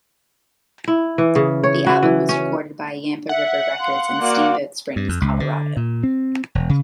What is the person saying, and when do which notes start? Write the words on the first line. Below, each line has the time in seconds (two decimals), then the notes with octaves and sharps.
The album was recorded by Yampa River Records in Steamboat Springs, Colorado.
0.88 E4
1.18 E3
1.36 C#3
1.64 C#5
1.86 F#4
2.03 E3
2.29 C#4
3.29 E5 F#5
3.80 F5 C6
4.20 A#3 F#4 D5 F5
4.96 G2
5.09 F2
5.21 C#2
5.40 D3
5.77 A#2
6.03 C4
6.55 E1
6.69 C#3